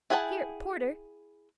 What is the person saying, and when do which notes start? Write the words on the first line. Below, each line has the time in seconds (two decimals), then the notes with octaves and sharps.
Here, porter!
0.10 E4 G#4 F#5 G5 A5